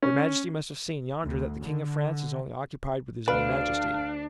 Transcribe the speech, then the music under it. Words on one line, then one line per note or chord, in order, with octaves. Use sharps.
"Your majesty must have seen yonder that the king of France is only occupied with his own majesty."
C#4
D2
D3
D2 D4 B4 F5 F6